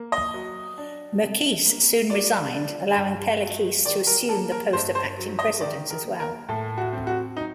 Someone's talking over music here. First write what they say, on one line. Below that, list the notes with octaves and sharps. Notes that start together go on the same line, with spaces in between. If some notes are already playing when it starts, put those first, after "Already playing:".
Merkys soon resigned, allowing Paleckis to assume the post of acting President as well.
Already playing: A#3
D#5
F#3
D4
C3
A#3
F#3 D5
D4
G2
F#3
D#3 D5
A#4
A#3 A4
A#4
G2 C5
C5
F#3
D#5
D#3 D5
A#4
A#3
A#4
A2 A4
F#4
C4
F#4
F#3 D#4